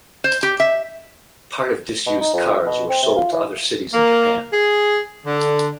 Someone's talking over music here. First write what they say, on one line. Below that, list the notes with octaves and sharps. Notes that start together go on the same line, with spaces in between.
Part of disused cars were sold to other cities in Japan.
C5
G4
E5
B2
D#4
F2
B2
C4
C3
F4
E3
A#3
G#4
D3